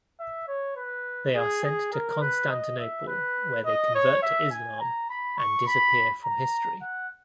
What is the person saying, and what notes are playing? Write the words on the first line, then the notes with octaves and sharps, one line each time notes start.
They are sent to Constantinople where they convert to Islam and disappear from history.
E5
C#5
B4
G#4
G#4
A#4
B4
D#5
E5
B4
D#5
C#5
E5
G#5
A#5
B5
C#6
B5
A#5
F#5